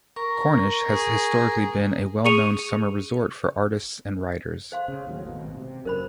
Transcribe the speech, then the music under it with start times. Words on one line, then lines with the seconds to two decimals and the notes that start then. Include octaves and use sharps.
Cornish has historically been a well-known summer resort for artists and writers.
0.16 A#4 C#6
0.90 G#4
2.25 G#4 C#6 C#7 D#7 F7
4.72 C5 F5 C6
4.88 C#3
5.07 D#2 A2 F#3
5.26 G#1 B2
5.57 C3
5.85 F#1 F#2 A#4 C5 B5